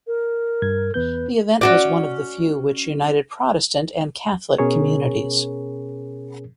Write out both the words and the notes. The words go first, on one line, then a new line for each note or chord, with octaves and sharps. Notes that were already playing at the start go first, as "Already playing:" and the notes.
The event was one of the few which united Protestant and Catholic communities.
A#4
G2 G#6
E2 B3 B4 G6
C#4 F#4 D5
B2 C#4 G#4 A#4 C#5